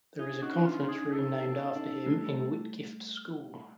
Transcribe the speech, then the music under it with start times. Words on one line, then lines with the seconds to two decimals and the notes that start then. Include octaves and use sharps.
There is a conference room named after him in Whitgift School.
0.19 D4 E4 G#4
0.42 C#4 D#4 F#4
0.65 D4 E4 F4
0.89 C#4 D#4 G#4
1.12 C4 D4 A4
1.43 B3 C#4
1.75 C#4 D#4
2.06 G3 A3